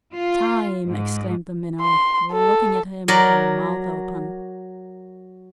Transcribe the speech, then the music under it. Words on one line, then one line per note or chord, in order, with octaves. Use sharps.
"Time!" exclaimed the Minnow, looking at him with her mouth open.
F4
G#2
C6
A4
F#3 A#4 D5